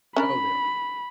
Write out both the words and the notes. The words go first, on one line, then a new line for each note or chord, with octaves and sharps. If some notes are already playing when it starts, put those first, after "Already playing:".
Oh, there
C#4 D4 A#4 B5